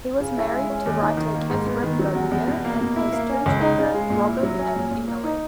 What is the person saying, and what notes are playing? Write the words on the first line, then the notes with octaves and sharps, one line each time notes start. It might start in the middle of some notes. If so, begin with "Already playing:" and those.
He was married to writer Katherine Govier, and has two children, Robin and Emily.
C#3
E4
G#3
C#4
D#2
D#4
D#3
A#3
G#2
B3
D#3
F#3
E2
E2
B2
A#3
B2
E4
A#3
C#4
C#2
D#4
C#3
G#3
A#2
E4
F#3
C#4
A#2
A#2
A#3
D#4